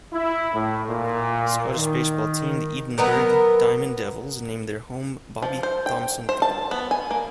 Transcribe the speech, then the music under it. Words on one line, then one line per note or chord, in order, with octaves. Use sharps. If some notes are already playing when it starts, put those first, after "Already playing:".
Scottish baseball team, the Edinburgh Diamond Devils, named their home Bobby Thomson Field.
E4
A2
A#2
D#3
F#3 B3 A#4
F3
C5
G5
C5
A5
B3
G#5
A#3